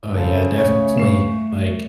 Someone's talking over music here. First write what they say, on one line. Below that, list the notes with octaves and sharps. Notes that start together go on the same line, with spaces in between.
Oh, yeah, definitely. Like,
C#3 A4 C5
A3 C#5
C#6 C7 E7